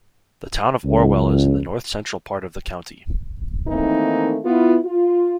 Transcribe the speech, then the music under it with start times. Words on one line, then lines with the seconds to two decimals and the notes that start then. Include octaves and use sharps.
The Town of Orwell is in the north-central part of the county.
0.84 C#2
3.68 D#3 E3 A3 A#3 C4 D#4
4.45 B3 E4 F4
4.84 F4